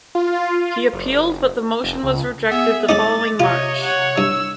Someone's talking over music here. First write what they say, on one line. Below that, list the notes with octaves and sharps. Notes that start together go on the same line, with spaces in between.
He appealed, but the motion was rejected the following March.
F4
F#1
F1
C#2
B3 G#4 E5
G#3 C#4 D#4 D6 A6
C3 F4 C#5 D#5
C#5 F#5
G2 E6